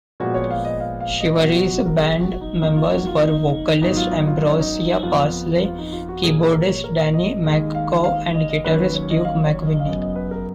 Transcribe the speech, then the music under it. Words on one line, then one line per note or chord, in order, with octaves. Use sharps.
Shivaree's band members were vocalist Ambrosia Parsley, keyboardist Danny McGough and guitarist Duke McVinnie.
A#2 F3 G#3 B3 F#4
C#5
F5
D#5
F5
F5
D#5
B2 F#3 B3 F#4
F#4
F#4
A#4
G#4
F#4
D#4
F2 D#3 A#3 D#4
F4
F#4
F4
D#4
G#2 F#3 B3 D#4
F4
D#4
F4
D#4
C#4
D#4
F2 F3 B3 F4
F4
D#4
F4
F#4
A#2 F3 A#3 G#4
G#4
A#4
C#5
A#4
D#5
D#2 D#3 G#3 D#5
F5
F5
D#5
D#5
D#2 D#3 F#3 C#4 B4
B4
C#5
D#5
F5
C#5
D#5
F5
F#2 C#3 F#3 B3 D#5
D#5
B4
A#4